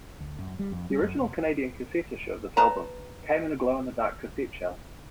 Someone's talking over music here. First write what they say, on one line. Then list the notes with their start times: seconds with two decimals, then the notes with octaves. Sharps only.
The original Canadian cassette issue of this album came in a glow-in-the-dark cassette shell.
0.20 D2
0.39 F#2
0.59 G3
0.72 F2
0.90 G3
1.01 F#2
1.17 F1
2.57 B4 A5 A#5